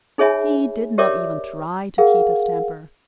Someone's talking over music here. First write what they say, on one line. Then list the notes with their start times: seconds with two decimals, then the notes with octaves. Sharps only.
He did not even try to keep his temper.
0.18 D#4 G#4 C#5 E5 G#5 B5
0.98 G4 A#4 C#5 D5 E5 D6
1.98 G#4 A#4 F5 F#5